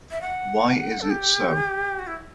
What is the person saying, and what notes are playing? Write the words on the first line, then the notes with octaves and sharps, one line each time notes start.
Why is it so?
E5
F#5
A4
G4
F#4
E4